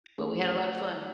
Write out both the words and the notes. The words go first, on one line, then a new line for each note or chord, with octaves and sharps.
But we had a lotta fun.
A3 C#4 G#4